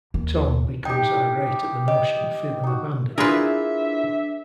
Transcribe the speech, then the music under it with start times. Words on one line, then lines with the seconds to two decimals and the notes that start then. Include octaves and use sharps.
Tom becomes irate at the notion, feeling abandoned.
0.14 D#2
0.85 D#4 G4 G5
1.88 D#5 G5
2.63 D#4 F#4
3.18 D4 E4 F4 G#4 A#4 B4 E5